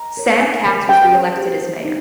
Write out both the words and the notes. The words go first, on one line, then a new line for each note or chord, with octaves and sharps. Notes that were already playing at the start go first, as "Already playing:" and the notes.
Sam Katz was re-elected as mayor.
Already playing: A#5
A#4 C#5
D#4 G#5
A#4 C#5
C#4 G5
G#4 C5
G4
C5
D#4